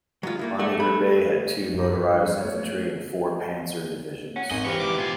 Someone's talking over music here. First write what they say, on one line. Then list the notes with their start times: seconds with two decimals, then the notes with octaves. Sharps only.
Army Group A had two motorised infantry and four "panzer" divisions.
0.23 F#3 G#3 F4
0.39 A3 A#3 E4
0.60 A3 F#5
0.80 B5
1.74 F#2 D#4
1.89 B4
2.09 G2
2.31 C#5
2.45 A3
4.36 C#4 F#5
4.51 G#1 D#5 G#5
4.64 E3 C4 F4 G4 B4 C#6
4.80 G#2 E3 D6
4.98 B2 F4 G#5